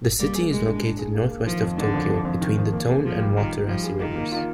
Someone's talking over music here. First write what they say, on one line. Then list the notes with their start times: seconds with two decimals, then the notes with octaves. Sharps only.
The city is located northwest of Tokyo between the Tone and Watarase rivers.
0.19 G3 A#3
0.35 G#4
0.50 G#3 G#4
0.67 D4
0.83 D4
0.99 G#4
1.14 A#3
1.31 A#3
1.46 D#3 F3
1.62 F2
1.77 D3 D#3
1.93 F2
2.09 F2
2.25 F2
2.41 D#3
2.57 F2
2.73 A#3
2.89 G#4
3.05 F3 F4
3.21 G3
3.36 D#3 F4
3.52 G3
3.67 F3 G3
3.84 G#4
3.99 D#3 F4
4.15 A#3
4.32 F4